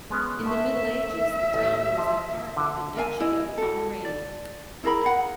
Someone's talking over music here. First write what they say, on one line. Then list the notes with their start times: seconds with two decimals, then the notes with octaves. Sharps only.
In the Middle Ages the town was a part of the Duchy of Pomerania.
0.10 G#3 B3 C#4
0.46 A3 E5
1.54 A1 D5
1.97 F3
2.56 D3
2.97 A#4 E5 F5 G#5
3.20 E4 D#5
3.58 F#4 A4
4.05 D5
4.84 E4 G#4 A#4 B5
5.04 F5 F#5